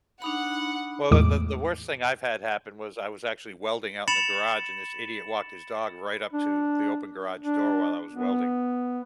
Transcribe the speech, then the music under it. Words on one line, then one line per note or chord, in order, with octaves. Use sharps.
Well, that that the worst thing I've had happen was I was actually welding out in the garage and this idiot walked his dog right up to the open garage door while I was welding,
D4 D#4 F#5 B5
E2 A2 G#3 D6
B5 A6 C#7 E7 F#7
D4
D4
B3